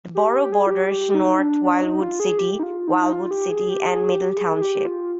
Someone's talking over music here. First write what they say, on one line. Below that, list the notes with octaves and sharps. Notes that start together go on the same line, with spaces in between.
The borough borders North Wildwood City, Wildwood City, and Middle Township.
G4
G4
G4
G#4
F4
G4
G4
D#4
D4
D4
D#4
F4
G#4
G4
D#4
F4
D#4
D#4
F4
G4
G#4
G4
G#4
G4
G#4
G#4
G4
F4